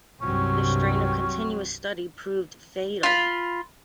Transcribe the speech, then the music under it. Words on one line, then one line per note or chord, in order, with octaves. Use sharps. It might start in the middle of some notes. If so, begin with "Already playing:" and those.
The strain of continuous study proved fatal.
C2 G2 C3 F#3 C4 C#4
F4 B5